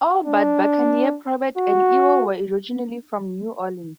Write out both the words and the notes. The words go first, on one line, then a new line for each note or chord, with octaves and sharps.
All but Buckner, Probert, and Ewell were originally from New Orleans.
D4
F#4